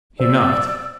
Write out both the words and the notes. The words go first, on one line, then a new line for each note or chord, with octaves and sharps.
He knocked.
C5 D5 E6